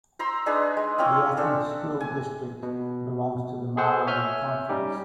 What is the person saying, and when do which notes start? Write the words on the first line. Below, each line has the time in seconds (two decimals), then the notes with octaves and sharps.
The Athens School District belongs to the Marawood Conference.
0.19 C5 A#5 C6 E6
0.46 D4 D#4 G#4 B4
0.77 G#3
0.98 A#3 C4 C#4 F4
1.37 D4 A4 C5 E5
2.00 G#5
2.63 B2
3.77 G#4 A4 C5 F#5
4.07 C#5 E5 G#5 F6 G6
4.69 G3 C#4 D#4 G4